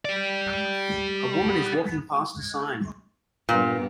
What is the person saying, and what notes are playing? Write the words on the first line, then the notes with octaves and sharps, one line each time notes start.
A woman is walking past a sign.
G4 D5
G2 A#2 G3 B3